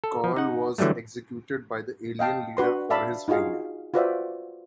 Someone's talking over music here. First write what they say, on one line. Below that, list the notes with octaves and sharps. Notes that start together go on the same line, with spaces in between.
Carl was executed by the Alien Leader for his failure.
A4
F3
D#4 F#5
D3 E3 F#3 G3 A3
D#5 F5 G5 A5
D4 F#4 B4 C6
D5 E5 F5 A5 B5
D#4 F4 F#4 G#4 F5
F4 F#4 B4 C5 D5 E5